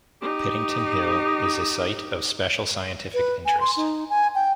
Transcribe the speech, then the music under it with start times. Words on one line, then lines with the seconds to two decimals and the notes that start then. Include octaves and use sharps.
Pittington Hill is a Site of Special Scientific Interest.
0.22 D#4 G4
3.14 B4
3.46 G#5
3.60 C6
3.76 D#4
4.10 G#5
4.35 G5